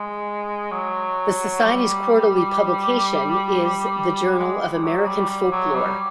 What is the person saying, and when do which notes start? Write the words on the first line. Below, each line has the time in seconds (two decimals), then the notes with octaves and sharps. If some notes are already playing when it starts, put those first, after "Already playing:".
The Society's quarterly publication is the "Journal of American Folklore".
Already playing: G#3
0.71 F#3
1.64 G3
4.38 G#3
4.61 G3
4.83 F#3
5.06 G3
5.29 G3
5.52 F#3
5.75 G3